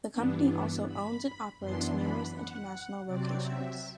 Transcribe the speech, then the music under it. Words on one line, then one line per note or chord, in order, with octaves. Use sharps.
The company also owns and operates numerous international locations.
G2 E3 B3 D4
B5
F#2 E3 B3 D4 C6
B5
F#5
C3 F#3 C4 D5
E5